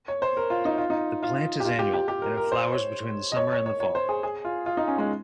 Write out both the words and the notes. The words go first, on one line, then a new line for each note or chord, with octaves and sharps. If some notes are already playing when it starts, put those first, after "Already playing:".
The plant is annual and it flowers between the summer and the fall.
C#5
C5
A#4
F4
D#4
F4
D#4
F4
G4
F4
G4
G4
G4
A#4
A#4
C5
C#5
D#5
C#5
C#5
C#5
C#5
C5
G#4
G#4
F4
F4
D#4
C#4
G#3